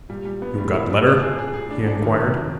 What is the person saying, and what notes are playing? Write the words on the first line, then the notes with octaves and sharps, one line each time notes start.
"You got letter?" he inquired.
A#2 G3
G3
B3
A2 G3
G2 E4
G#2 G3
A#2 D4
G#4
G2
G#4
G#4
A2
D4
G#2
G2 D4
F#2 D#3
C3
F2
D#3